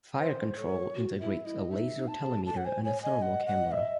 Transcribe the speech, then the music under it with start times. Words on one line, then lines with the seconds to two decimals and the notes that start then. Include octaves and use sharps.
Fire control integrates a laser telemeter and a thermal camera.
0.19 C5
0.57 A4 C#5
0.94 F#4
1.20 E4 E5
1.45 E4 D#5
1.70 D#4 E5
1.95 D#4
2.08 A5
2.20 G#4
2.46 A4 A5
2.57 F#5
2.65 C5 G#5
2.84 C#5 G#5
3.02 D#5 G#5
3.22 F#5
3.46 F#5
3.72 E5